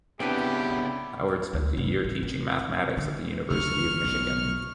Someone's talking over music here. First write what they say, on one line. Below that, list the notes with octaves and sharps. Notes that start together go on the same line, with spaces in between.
Howard spent a year teaching mathematics at the University of Michigan.
C#3 B3 C4 D4 E4 G4 B4 G5
D2
G2
A1
C4
D3
F#1 D2 C#6 F6
B1